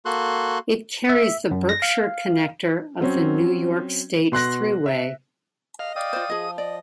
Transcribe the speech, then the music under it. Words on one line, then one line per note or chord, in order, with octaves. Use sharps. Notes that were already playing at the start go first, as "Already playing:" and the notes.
It carries the Berkshire Connector of the New York State Thruway.
A#3 F#4 A4 C6 F#6
E5
F#2
A#6
F5
F#3 C4 C#4
B2 C6 F#6 A#6
E5
D#5 F5
D5 F5 G5 D#6
F4 C5
F3 F4 G#4 D#5
D5 D#5